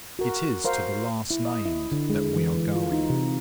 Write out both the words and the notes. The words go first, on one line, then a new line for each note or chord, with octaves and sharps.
It is to the last-named that we are going.
F#4 A#4
A#4 C5 F5
E4
D#5
E4
D3
G#3
E3
E3
F4
D#4
C3